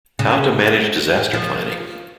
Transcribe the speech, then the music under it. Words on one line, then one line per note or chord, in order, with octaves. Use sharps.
How to manage disaster planning?
C#3
F3